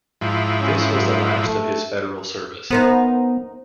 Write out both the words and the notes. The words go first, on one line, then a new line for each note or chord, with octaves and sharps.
This was the last of his federal service.
G#2 F3 E4
C#4
F#2
A3
B3 D#4 A#4 C5